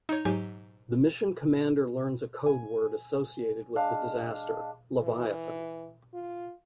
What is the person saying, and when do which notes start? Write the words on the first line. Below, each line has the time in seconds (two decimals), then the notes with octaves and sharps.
The mission commander learns a codeword associated with the disaster: Leviathan.
0.09 D#4 C#5
0.25 G#2 F#3 G4 G#5
2.46 G#5
3.76 G#3 D4 F5
5.02 E3
6.14 F4